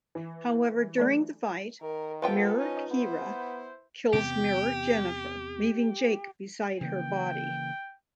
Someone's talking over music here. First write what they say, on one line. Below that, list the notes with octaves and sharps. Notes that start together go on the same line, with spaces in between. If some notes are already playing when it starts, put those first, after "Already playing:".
However, during the fight, mirror Kira kills mirror Jennifer, leaving Jake beside her body.
E3
F#3 A3 D4
D#3 A#4
F3 B3 F4 A4 B4 G5
C#4 D#4 D#5
B3 E4 C5
E2 C3 B3 G4
C#3 E3 A#3 G5